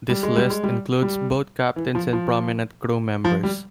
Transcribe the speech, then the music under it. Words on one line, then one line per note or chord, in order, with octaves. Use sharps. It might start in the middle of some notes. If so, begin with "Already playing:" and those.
This list includes both captains and prominent crew members.
G3
G#3
G3
G#3
G3
G3
E3
F3
F3
F3
G3